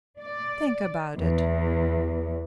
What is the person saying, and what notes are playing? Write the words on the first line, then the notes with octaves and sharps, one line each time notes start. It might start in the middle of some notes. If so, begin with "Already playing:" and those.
Think about it.
D5
E2